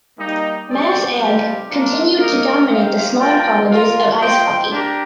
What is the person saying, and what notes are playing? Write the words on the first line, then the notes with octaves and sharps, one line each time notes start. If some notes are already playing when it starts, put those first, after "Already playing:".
Mass Ag continued to dominate the smaller colleges of ice hockey.
G3 A#3 D#4
C4 G4 D5 G5
G3 C4 G4 D5 F5
D4 F4 A#4
A#3 D#4 A#4
D#4 G4 C5 F5
F4 A#4 D5 G5
F4 A#4 D5 F5
F4 C5 D#5 G5
D4 G4 A#4